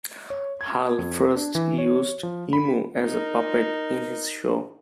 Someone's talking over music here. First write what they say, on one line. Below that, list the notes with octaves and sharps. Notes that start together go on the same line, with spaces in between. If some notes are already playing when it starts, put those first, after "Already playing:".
Hull first used Emu as a puppet in this show.
C#5
G#6
F2
D4
E3
C#5
F3
B5
D#4 A#4